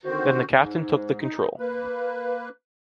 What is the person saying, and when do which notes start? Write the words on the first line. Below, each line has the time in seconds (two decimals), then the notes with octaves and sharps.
Then the captain took the control.
0.05 D3 D#3 C4 F#4 C5
0.55 G#2
1.21 D#4
1.59 A#3 B4